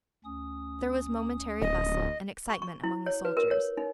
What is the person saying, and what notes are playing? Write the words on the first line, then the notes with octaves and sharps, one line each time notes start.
There was momentary bustle and excitement among the soldiers.
D2 C#4 D#6
D1 D#5
C#6
C#6
E4
C#5
B4
A#4
C#5
D#4